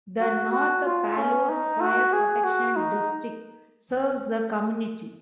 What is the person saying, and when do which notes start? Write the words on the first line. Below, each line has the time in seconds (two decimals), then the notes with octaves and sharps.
The North Palos Fire Protection District serves the community.
0.21 F#4
0.52 F#4
0.85 F4
1.17 C#4
1.49 D#4
1.81 F#4
2.13 G#4
2.44 F#4
2.76 D#4